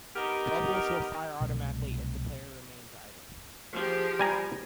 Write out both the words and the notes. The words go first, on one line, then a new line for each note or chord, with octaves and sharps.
Bubbles will fire automatically if the player remains idle.
B3 D#4 G4 A#4
C2 B2 F#3 A3
F3 G4 G#4
G3 G#5 A#5